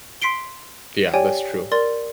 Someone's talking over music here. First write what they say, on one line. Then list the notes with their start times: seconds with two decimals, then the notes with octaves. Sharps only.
Yeah, that's true.
0.22 C6 B6 C7 D7 G7
1.14 G4 C#5 D5 G5 G#5
1.72 A#4 D5 C6 A6